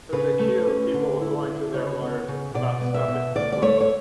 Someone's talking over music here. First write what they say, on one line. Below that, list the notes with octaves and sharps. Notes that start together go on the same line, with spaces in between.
There's a queue of people going to their lawyers about stuff in his book.
C#3 B4
A3
C#4
D3
E4
D3
C#3 C#5
B3
C#3
B2 D5
B3
E5
B2
D2 D5
D5
A3 C#5
C#5